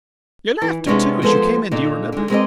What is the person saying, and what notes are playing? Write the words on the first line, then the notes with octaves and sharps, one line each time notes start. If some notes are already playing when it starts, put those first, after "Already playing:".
Your laughter, too, as you came in, do you remember?
E3
C3 E3 G#3 B3 C#4 D4
F3 G#3 B3 A4 C5
A#2 D3 D#4
D3 G#3
G#3 C4 A#4 B4 D5 D#5